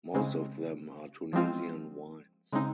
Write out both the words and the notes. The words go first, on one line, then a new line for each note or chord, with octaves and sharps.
Most of them are Tunisian wines.
C#3 G#3 C4
F3 G#3 C4 F4
C#3 G#3 C4 D#4